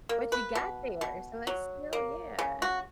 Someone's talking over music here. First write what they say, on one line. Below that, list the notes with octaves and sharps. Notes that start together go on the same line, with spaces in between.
But you got there, so that's still yeah.
A#3
B4
B2
B2
F#3
A#3
C#3
F#4